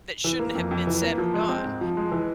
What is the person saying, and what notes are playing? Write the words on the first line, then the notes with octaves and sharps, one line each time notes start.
that shouldn't have been said or done,
E3
A#3
F2
F2
E3
A#3
F3
G#3
C4
G#2
F3
G#3
E3